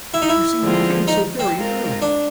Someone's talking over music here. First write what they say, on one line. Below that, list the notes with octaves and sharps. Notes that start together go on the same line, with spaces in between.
"You see you came so very early."
E4
D#4
E4
D3 F3 G#3 C4 F4
D#4
C4
G#3 C4 F4 A#4
D4